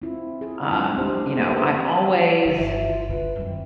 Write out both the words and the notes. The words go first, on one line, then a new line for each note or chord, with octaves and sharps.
um, you know, I'm always
C4 E4 F4
G#4
F#3 G#3 D4 E4 F4
D4 D#4 G4 C5
A3 A#3 C#4 G4 G#4
G4 A4 B4 C5 E5
F#3 F#4
G1 E5
F4
D3 B4
F#2 D#3 C4